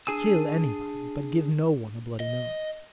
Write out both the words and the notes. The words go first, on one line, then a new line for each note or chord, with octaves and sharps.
Kill anybody, but give no one a bloody nose.
D4 G#4 G#5 E6
D#5